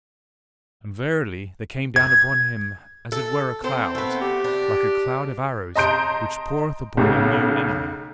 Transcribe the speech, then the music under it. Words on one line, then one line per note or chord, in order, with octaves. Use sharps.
And verily, there came down upon him as it were a cloud, like a cloud of arrows which poureth upon a new enemy.
G#6
A4
C4 A4 C5
A3 B3
G4
D4
D#5 A5 A#5 C6 G6 D7
B1 A2 C#3